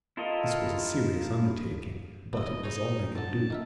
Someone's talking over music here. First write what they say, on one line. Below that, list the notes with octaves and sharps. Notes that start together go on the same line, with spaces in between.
This was a serious undertaking, but it was all they could do.
E4 F4 A4 A#4 D#5
A#2 E4 D#5
D#4 G#4 C5 C#5
D3 C4 A5
D#3 A#4 E5